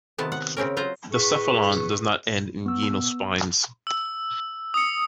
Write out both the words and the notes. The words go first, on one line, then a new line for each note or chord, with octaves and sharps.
The cephalon does not end in genal spines.
C3 D#3 B3 A5
F#5
C#3 C4 C#4 A#4
F#3 F4 C5 A#5
A2 G#4 B4 C#6
B3 E6
E6
D#6 C#7